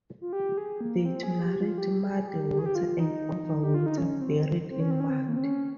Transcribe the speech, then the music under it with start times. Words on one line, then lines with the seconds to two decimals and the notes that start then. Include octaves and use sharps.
They tolerate muddy water and overwinter buried in mud.
0.21 F4
0.33 G4
0.58 G#4
0.81 A#3
1.05 C4
1.23 G#4
1.41 G4
1.60 F4
1.78 G4
2.03 G#4
2.28 G4
2.52 G4
2.59 G#4
2.66 G4
2.75 F4
2.99 D#4
3.63 G4
3.74 F4
3.86 D#4
3.98 C#4
4.21 C4
4.70 C4
4.80 C#4
4.91 C4
5.00 C#4
5.10 C4
5.29 A#3
5.36 C4
5.43 C#4